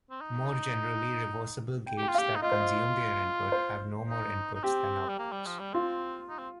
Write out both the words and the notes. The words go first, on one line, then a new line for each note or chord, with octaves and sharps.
More generally, reversible gates that consume their input have no more inputs than outputs.
C4
D#4
G5
G4 G5
F4
G4 F5
D#4
F4 D#5
C5
D#5
C5
D#4
D#4
C4 G4
G3
A#3
G3
F3
G3
C4 F4
D#4
C4